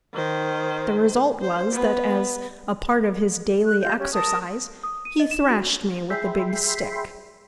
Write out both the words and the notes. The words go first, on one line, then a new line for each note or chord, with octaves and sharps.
The result was that, as a part of his daily exercise, he thrashed me with a big stick.
D#3 C5
C5
B3
F#6
F4 G4 D#5 G6
C#4 G4
A#4 A5 D#6
D#6
D#7
D#5
E7
F#4
G#4 E5 G5 B5 C6